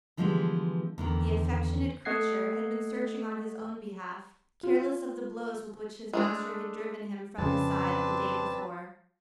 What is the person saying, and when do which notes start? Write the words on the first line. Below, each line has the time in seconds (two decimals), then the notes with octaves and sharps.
The affectionate creature had been searching on his own behalf, careless of the blows with which his master had driven him from his side the day before.
0.17 D3 E3 F3 G3 G#3 B3
0.98 E2 D3 D#3
2.05 A3 D#5 F#5 G#6 C7
4.63 F4
6.13 G#3 A3 D4
7.38 F2 C#3 C4 D4 B4 A5